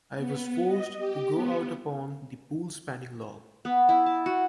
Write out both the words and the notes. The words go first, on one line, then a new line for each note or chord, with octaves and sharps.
I was forced to go out upon the pool-spanning log.
B3
D#5
G4
B3
B3
E4
A5
F#4